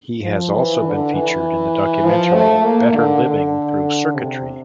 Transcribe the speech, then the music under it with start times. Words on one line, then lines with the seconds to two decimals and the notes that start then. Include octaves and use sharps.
He has also been featured in the documentary Better Living Through Circuitry.
0.23 F3
0.53 E3
0.83 D3
1.13 E3
2.04 F3
2.34 A3
2.64 A#3
2.94 D3
3.24 D3
4.15 C3